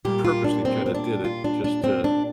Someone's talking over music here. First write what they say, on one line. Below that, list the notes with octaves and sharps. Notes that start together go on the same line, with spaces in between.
purposely kinda did it just to
A#2 G3 A#3 G4
F4
D4
C4
C4
D4
F4
D4
D4
C4
D4